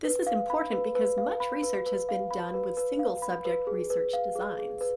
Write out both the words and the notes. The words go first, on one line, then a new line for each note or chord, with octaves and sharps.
This is important because much research has been done with single-subject research designs.
B4
F5
B5
B4
B4
F5
B5
B4
B4
F5
B5
B4
B4
F5
B5
B4
G#4
B4
F5
G#4
G#4
B4